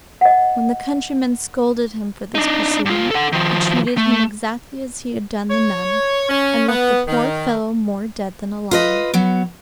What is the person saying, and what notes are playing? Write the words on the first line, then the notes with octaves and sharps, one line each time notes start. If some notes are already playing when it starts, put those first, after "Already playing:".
When the countryman scolded him for this proceeding he treated him exactly as he had done the nun, and left the poor fellow more dead than alive.
D#5 F#5
D4 D#4
G2 F4
A4 F#5
D#3 F3
A3
C#5
C#4
B3
D#3
F4 B4 D#5
F#3 B3